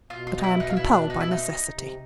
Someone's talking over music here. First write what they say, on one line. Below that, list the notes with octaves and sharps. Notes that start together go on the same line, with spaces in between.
But I am compelled by necessity.
B2 F4
F4
D#4
E4
D#4
F4
E4
D4
D#4
E4
D#4
C3